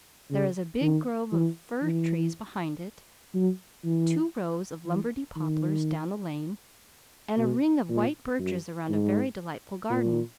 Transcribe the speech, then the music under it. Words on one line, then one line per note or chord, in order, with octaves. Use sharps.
There is a big grove of fir trees behind it, two rows of Lombardy poplars down the lane, and a ring of white birches around a very delightful garden.
C#3
D#3
E3
E3
F#3
E3
E3
D#3
B2
A#2
F#2
G#2
A#2